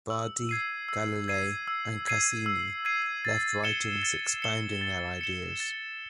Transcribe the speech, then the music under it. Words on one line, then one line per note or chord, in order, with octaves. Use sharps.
Bardi, Galilei, and Caccini left writings expounding their ideas.
E6
G#6 C7 D#7
E6
G#6 C7 D#7
E6
G#6 C7 D#7
E6
G#6 C7 D#7
A6
C#7 E7 G7
A6
C#7 E7 G7
A6
C#7 E7 G7
A6